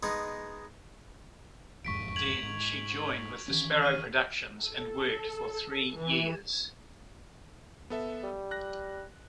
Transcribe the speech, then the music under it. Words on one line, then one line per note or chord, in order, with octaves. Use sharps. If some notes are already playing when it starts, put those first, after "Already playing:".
Then she joined with the Sparrow Productions and worked for three years.
G#3 B3 D#4
E1 F2 G#2 C#6 B6 D7
G#6 F7 F#7
G#2
D#3 E3 C#4
F6 D#7
A4
E3
B3 A4 E5
G3
F#6 A#6